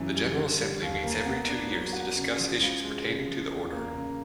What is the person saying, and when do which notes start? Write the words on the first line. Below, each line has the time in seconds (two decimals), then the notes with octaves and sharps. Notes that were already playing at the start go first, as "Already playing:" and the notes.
The General Assembly meets every two years to discuss issues pertaining to the Order.
Already playing: F#2 C#3 E3
0.14 G3
0.37 D3
0.59 G3
0.82 D#2
1.04 A#3
1.26 B3
1.49 D4
1.71 F#3
1.93 F#4
2.16 C#3
2.38 F3
2.60 C#2
2.83 G#3
3.05 C#3
3.27 F3
3.50 E2
3.72 A#3
3.95 C#3